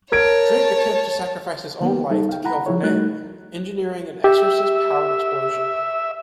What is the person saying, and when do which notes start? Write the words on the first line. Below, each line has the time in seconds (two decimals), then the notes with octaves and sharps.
Drake attempts to sacrifice his own life to kill Varnae, engineering an Exorcist-powered explosion.
0.12 A#4 C#5 A5 G#6 D7
1.81 D#3 A#3 B3
2.10 G3 D#4 A4
2.29 F5 G5
2.44 E4 F#5 A#5 B5
2.66 F3 E4 C#5
2.83 G3 A3 D#4 F#4 F#6
4.24 G4 E5